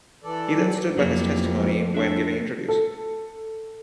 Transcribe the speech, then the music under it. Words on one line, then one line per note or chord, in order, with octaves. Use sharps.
He then stood by his testimony when giving interviews.
E3 A4 D5
F#3
F2 E3 F#3 G3 A#3 B3 G4
G#3 D4 A4 E5
A4